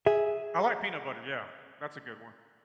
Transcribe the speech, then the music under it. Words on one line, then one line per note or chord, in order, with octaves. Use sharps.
I like peanut butter, yeah. That's a good one.
G#4 E5